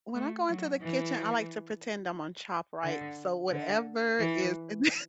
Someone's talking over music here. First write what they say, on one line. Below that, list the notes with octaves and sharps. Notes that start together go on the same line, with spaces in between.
when I go into the kitchen, I like to pretend I'm on Chopped, right? So, whatever is in the
A3
F#3
E3
D3
D3
E3